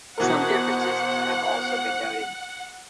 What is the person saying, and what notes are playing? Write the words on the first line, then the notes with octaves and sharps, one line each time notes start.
Some differences have also been noted.
B2 E3 A#4 C5 F#5